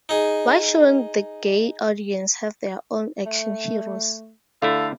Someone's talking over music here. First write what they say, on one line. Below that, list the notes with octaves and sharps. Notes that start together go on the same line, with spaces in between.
Why shouldn't the gay audience have their own action heroes?
D#4 G#4
A3
D3 A3 E4 A4 F5